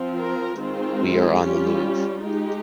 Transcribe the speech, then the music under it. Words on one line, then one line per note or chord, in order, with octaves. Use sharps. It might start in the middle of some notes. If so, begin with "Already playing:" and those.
We are on the move.
Already playing: F3 C4 F4
A#4
D#3 G#3 C4 F4
G3 C#4 F4 G4
G#3 D#4 G4